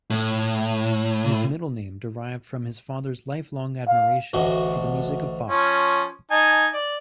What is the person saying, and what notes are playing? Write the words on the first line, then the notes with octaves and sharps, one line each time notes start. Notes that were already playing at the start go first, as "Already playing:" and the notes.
His middle name derived from his father's lifelong admiration for the music of Bach.
A2
F5
A1 D2 F#4 D#5
F3 C#4
D#4 G#5 A5
D5